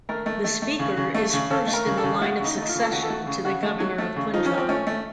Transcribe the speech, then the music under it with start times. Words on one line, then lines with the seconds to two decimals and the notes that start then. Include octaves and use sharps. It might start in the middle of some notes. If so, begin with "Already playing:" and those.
The Speaker is first in the line of succession to the Governor of Punjab.
0.09 A3 A#4
0.26 A3
0.44 A3
0.62 A3
0.79 C#3
0.97 C#3
1.14 A3
1.33 C#3
1.50 C#3 A4
1.67 A3
1.73 A#4
1.86 C#3
1.97 A4
2.03 C#3
2.21 A3 F#4
2.39 C#3 D#4
2.57 A3
2.62 D#4
2.69 F4
2.75 C#3
2.82 A4
2.92 C#3 F#4
3.02 A4
3.10 A3 F#4
3.27 C#3
3.45 C#3 F#4
3.62 A3
3.80 F#3
3.98 A3
4.16 C#3
4.34 F3 D#4
4.46 C#4
4.51 F3
4.58 C4
4.69 A3 C#4
4.87 A3